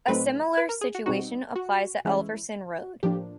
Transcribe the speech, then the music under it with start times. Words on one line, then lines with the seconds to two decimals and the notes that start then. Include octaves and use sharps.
A similar situation applies at Elverson Road.
0.08 A2 F#3 A3 C4 D#4 B4
0.57 B4
0.69 A#4
0.81 G#4
0.95 F#4
1.06 B2 G3 C4 D#4 F#4
1.55 F#4
2.05 E3 G#3 C#4 E4
3.03 A2 F3 A#3 D4 G4